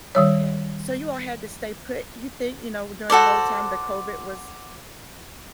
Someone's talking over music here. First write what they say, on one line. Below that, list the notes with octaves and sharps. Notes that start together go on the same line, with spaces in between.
Okay. So you all had to stay put. You think you know, during the whole time the COVID was,
D#3 G3 C#5
F#4 A4 C5 D5